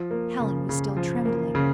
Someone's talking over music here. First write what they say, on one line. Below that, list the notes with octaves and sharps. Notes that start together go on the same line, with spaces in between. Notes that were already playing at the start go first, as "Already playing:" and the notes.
Helen was still trembling.
Already playing: F3
A#3
C#3
C#3
F3
A#3
C#3